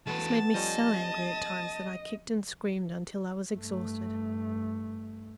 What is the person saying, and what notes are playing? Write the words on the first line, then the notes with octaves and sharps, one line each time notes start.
This made me so angry at times that I kicked and screamed until I was exhausted.
E3 A3 B3 F#4 A5
F3 G3 C#4 D#5
G2 A3